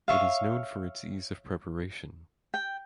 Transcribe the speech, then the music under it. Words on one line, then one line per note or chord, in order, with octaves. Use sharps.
It is known for its ease of preparation.
C#5 E5 F5
G5